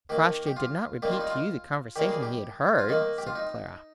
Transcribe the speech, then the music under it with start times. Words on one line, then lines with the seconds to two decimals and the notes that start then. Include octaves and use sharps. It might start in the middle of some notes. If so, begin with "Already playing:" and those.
"Crossjay did not repeat to you the conversation he had heard?" said Clara.
0.09 D#3 A#3 G4
0.47 G4
0.56 F4
1.02 D#3 G3 A#3 G4
1.11 F4
1.20 D#4
1.30 F4
1.96 D#3 G3 A#3 G4
2.09 G#4
2.23 G4
2.79 F4
2.89 D#3 A#3 D#4
3.18 G4
3.27 F4
3.36 D#4